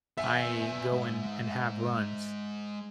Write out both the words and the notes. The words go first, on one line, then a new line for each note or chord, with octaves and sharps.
I go and and have runs,
B3 E5 G#5
G#3 D#4